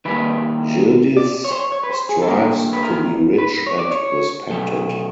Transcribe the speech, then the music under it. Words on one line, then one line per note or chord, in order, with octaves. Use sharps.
Yildiz strives to be rich and respected.
D#3 G3 A#3 B4
D5
C#5
C5
C#5
C#5
B4
C5
G#4
A4
D3 G3 A#3 A#4
B4
A#4
B4
C#5
D5
C#5
B2 F#3 A3